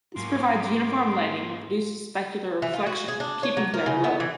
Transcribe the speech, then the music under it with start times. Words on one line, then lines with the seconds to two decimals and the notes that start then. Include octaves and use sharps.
This provides uniform lighting and reduces specular reflection, keeping glare low.
0.16 G#2 F#3 A#3 B3 C#4 A#4 C6 D6
2.62 E3
2.74 F4
2.86 F#4
3.08 G#4
3.20 D4
3.43 C#5
3.57 F#3
3.74 A#4
3.86 C#3
4.04 B3
4.20 E3